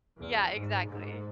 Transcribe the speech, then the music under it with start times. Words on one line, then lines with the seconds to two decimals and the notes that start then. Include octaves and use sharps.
Yeah, exactly.
0.18 E2
0.53 G#2
0.85 G#2